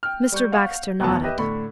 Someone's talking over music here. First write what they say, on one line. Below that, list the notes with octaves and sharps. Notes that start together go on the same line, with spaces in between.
Mr. Baxter nodded.
G5 F6
G3 C#6 G6
F5 F#5 C#6
E1 D2 F3 F#3 B3 A5
G4 B4 D#5 E5
A2 D3 B5 C#6